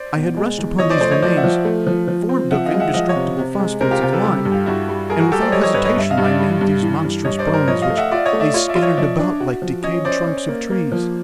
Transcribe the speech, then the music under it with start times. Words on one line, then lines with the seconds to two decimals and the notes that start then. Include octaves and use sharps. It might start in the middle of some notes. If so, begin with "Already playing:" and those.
I had rushed upon these remains, formed of indestructible phosphates of lime, and without hesitation I named these monstrous bones, which lay scattered about like decayed trunks of trees.
Already playing: C5 D5
0.15 B2
0.37 G#3
0.58 E2
0.78 F3 C#5 D#5
0.90 C5 D5
1.01 A3 C5 D5
1.11 C#5 D#5
1.22 F3 C5 D5
1.36 E5 F#5
1.44 F3
1.65 A3
1.87 F3
2.08 F3
2.29 C4
2.51 F3 E5 F#5
2.66 D#5 F5
2.73 G#3
2.80 E5 F#5
2.94 F3 D#5 F5
3.09 C#5 D#5
3.15 C3
3.38 C3
3.59 G#3
3.81 C3 A#4 C5
3.91 F4 G4
4.01 C3 F4 G4
4.13 A4 B4
4.23 G3 G4 A4
4.45 G2
4.52 F4 G4
4.66 G2 E4 F#4
4.89 G3
5.09 G3 G#4 A#4
5.20 F#4 G#4
5.32 G3 G4 A4
5.41 C5 D5
5.52 G3 C#5 D#5
5.63 C#5 D#5
5.74 G2 B4 C#5
5.85 C#5 D#5
5.96 G2 E5
6.10 D#5 F5
6.17 G2
6.24 D5 E5
6.39 G3
6.61 G2
6.83 E3
7.04 G2
7.25 G2 C#5 D#5
7.39 C5 D5
7.47 G2
7.54 A#4 C5
7.68 F3 C#5 D#5
7.82 D#5 F5
7.90 A3
7.97 E5 F#5
8.11 F4 D5 E5
8.25 C#5 D#5
8.33 A3
8.40 D5 E5
8.54 F4 C#5 D#5
8.69 D5 E5
8.75 F4
8.82 C#5 D#5
8.97 F3 D5 E5
9.19 D4
9.40 F#4
9.62 F3
9.83 C#4 C#5 D#5
10.05 C#4 C5 D5
10.27 C#4
10.49 A#3
10.70 A#3
10.92 F3